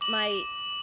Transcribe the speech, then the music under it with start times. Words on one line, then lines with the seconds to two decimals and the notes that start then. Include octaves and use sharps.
the My
0.01 D6 F#7